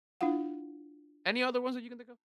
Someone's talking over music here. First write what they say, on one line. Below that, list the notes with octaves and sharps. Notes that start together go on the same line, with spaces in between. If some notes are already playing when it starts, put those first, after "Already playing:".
any other ones that you can think of?
D4 E4 F4 F5 F#5